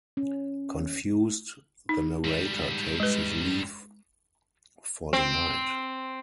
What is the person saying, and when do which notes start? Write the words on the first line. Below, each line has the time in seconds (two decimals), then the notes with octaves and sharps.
Confused, the narrator takes his leave for the night.
0.17 C#4
1.89 D#4
2.24 G#2 G3
3.00 G#3 B4
5.13 C4